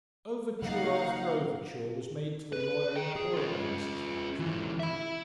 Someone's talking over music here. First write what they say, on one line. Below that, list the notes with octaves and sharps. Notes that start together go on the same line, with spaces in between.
Overture after overture was made to the lawyer employed by Mrs. Val's party.
C#3 F#3 A#3 D#4 F5 F#5
B4
D#5 G5
G#4
C#4 F4
G#2 E3
E5 B5